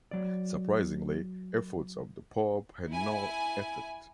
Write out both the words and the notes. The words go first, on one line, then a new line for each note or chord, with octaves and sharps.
Surprisingly, efforts of the pope had no effect.
F#3 D5
E4 G#5